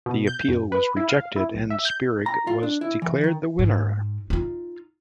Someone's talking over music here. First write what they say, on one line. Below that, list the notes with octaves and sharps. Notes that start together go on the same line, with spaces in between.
The appeal was rejected and Spirig was declared the winner.
B2
G6
F#2
B4
E4
F5
E4
B1
E5
G6
A#5
F4
D4
E4
E3
D#3
G#2
D#4 F4